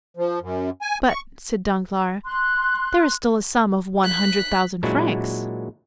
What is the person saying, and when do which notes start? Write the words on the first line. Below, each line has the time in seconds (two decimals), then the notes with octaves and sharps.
"But," said Danglars, "there is still a sum of one hundred thousand francs?"
0.17 F3
0.41 F#2
0.82 G#5
1.08 C#6
2.25 C6 F#6
4.04 F#6 B6
4.83 A#2 F#3 G#3 D4 E4 F#4